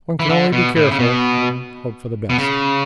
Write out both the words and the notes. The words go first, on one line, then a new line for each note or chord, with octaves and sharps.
One can only be careful and hope for the best.'
E3
D3
B2
A2
C#3
B2
B2
C#3